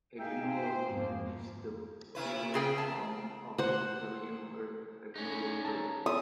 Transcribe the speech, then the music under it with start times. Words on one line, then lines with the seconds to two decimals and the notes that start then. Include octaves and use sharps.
"Agnolotti" is the plural form of the Italian word "agnolotto".
0.19 D#4 G#4 E5 F5 G5
0.50 C5
0.92 F2 G#2 F3 A#3
2.15 C3 E4 B4
2.54 C#3 G#4 G5
2.78 A5
3.58 C5 F#5
5.16 C#4 D#4
5.65 A5 A#5
6.06 E5 D#6